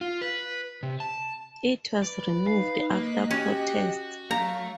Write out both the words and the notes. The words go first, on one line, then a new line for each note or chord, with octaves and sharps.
It was removed after protests.
F4
B4
C3
A5
B4 D5
D#4 F5
A#3 D#5 F#6 B6
C#4 F#4 G4
F#3 A3 F5 A#5 C#6